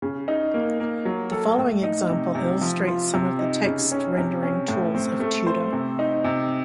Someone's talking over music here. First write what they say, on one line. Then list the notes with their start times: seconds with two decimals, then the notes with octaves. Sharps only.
The following example illustrates some of the text rendering tools of Tutor.
0.02 C#3
0.28 D#4
0.54 A#3
0.80 A#3
1.05 F#3
1.32 A4
1.57 A2
1.83 D#4
2.09 C3
2.35 C3
2.61 F3
2.87 F4
3.13 C3
3.39 D#4
3.65 C#3
3.91 C#4
4.17 C3
4.43 C#4
4.68 A2
4.95 C4
5.20 A3
5.47 C5
5.73 C3
5.99 D#4
6.24 C3